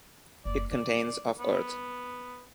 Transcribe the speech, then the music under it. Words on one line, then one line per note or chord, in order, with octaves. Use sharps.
It contains of earth.
F#1 D5
D#4 D5
B3